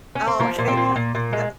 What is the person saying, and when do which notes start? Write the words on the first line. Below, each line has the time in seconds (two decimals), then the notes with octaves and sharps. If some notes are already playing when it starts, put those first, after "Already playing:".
oh okay, gotcha.
0.15 C#4
0.27 C4
0.40 F3 A#3
0.58 A#2
0.68 C4
0.77 A#2
0.96 A#2
1.15 A#2
1.33 G#3